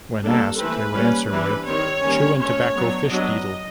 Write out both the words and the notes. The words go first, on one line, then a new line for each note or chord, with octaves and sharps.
When asked, they would answer with "Chewin' Tobacco Fish Deedle".
G3 A#3 D4 A4
E3 A3 C4 B4
G3 A#3 C#4
E3 G3 B3 D4 B4
D#3 G3 C4 C#5
D#3 G3 A#3 C#4
F3 A3 C#4 C#5
F#3 B3 D4
F#3 B3 D4 D#5